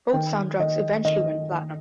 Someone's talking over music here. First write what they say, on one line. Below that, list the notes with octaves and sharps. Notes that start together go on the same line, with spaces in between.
Both soundtracks eventually went platinum.
D#3 G5
D#3 D#5
D#3 D#5
D#3